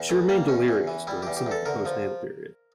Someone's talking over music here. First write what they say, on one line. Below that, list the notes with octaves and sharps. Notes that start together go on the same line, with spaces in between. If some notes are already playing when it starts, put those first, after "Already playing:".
She remained delirious during some of the postnatal period.
Already playing: E2
E3 A3
G3 A#3
E2 C#4
E2
E3
G3 E4
E2 G4
G4
E2 A4
D3 A#4
F3